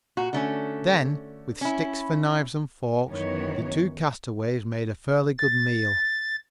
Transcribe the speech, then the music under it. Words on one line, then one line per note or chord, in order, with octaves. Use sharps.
Then, with sticks for knives and forks, the two castaways made a fairly good meal.
A#2 F#4
D3 A3 C#4
C#4 E4
F#2 D#3 E3 B3 C#5
A6